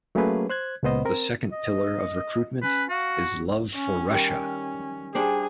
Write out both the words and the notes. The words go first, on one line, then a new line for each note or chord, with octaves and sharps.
The second pillar of recruitment is love for Russia.
F#3 A3 A#3 C#4 G#4 B4
C5 F#6 G#6
C#2 A#2 B3 C5 D#5
C4 A#4
D#5
C#4 B4
F#4 F5
C#4
D#3 G3 C#4
G3 D4 G#4 C5